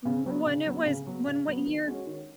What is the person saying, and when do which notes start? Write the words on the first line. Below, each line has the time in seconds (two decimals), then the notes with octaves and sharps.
When it was when what year?
0.05 C#3
0.26 F#3 B3
0.46 C#3
0.66 F#3 B3
0.86 C#3
1.07 F#3 B3
1.27 C#3
1.47 F#3 B3
1.67 D#3
1.86 G#3 C#4 F#4 C#5
2.07 D#3